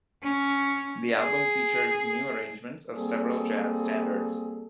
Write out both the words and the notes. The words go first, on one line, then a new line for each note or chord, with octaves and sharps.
The album featured new arrangements of several jazz standards.
C#4
G#4
G3 A#3 C4 G#4 A4